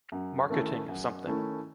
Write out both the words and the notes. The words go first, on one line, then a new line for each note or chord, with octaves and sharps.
Marketing something.
F#2
D#3 A3 C#4 E4
F#2
D#3 A3 C#4 E4